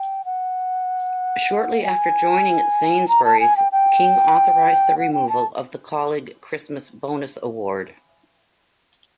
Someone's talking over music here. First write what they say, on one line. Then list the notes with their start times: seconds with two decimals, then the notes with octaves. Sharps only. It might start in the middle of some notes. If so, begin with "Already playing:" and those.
Shortly after joining Sainsbury's, King authorised the removal of the Colleague Christmas Bonus award.
Already playing: G5
0.25 F#5
1.83 G#5
3.08 A#5
3.24 A5
3.40 G#5
3.57 G5
3.72 G5
4.98 F#5
5.13 G5
5.29 A5